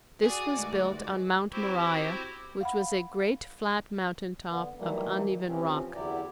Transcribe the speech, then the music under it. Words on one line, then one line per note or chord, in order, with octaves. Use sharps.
This was built on Mount Moriah which was a great flat mountain top of uneven rock.
F#4 G#4 D5
D2 G2 D#3 G#3
C4 E4 F#4 G4 C5
F5 F#5 B5
D3 B3
D#3 E3 F#3 G3 A3 A#3
C3 E3 F3 C4 C#4
E2 D3 F#3 E4 G4 D5